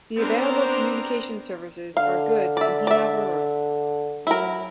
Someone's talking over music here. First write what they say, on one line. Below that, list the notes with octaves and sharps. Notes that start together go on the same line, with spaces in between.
The available communication services are good in Hinnavaru.
B3 C4 D4 A#4 C5 A#5
D3 F5
D5 E5
D5 E5
F#3 E4 A#4